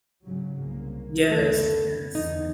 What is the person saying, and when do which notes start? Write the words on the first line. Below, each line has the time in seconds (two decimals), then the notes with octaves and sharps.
Yes, yes.
0.24 G#2 C#3 F#3
0.61 C2 A#3
1.29 F#1 D2 A3 B3 A4
2.15 E2 D3 D#4